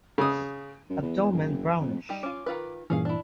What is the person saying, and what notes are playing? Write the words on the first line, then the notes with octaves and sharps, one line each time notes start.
Abdomen brownish.
C#3 D#6
F#2
E2
F#1
F2
G3 D#4 G4
C#4 F4 D6
D#3 F4 B4
G2 A#2 E3 C#4 G#4 F5
D4 E4